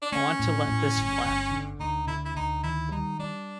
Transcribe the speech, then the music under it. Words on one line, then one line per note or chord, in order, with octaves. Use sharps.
I want to let this flat.
D4
A3 C#4
A2
A2
G1
G1
D3
D2 D#4
D3 E4
E4
D2 D#4
D#3 E4
G3 D#4
G3 D4